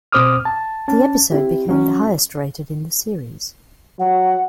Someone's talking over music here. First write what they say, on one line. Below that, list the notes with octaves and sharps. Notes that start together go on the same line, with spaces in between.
The episode became the highest rated in the series.
B2 C4 C5 D6 D#6 F6
A5
C#4 A5
C4 E4 G4
F#3 C#4
F#3 F#5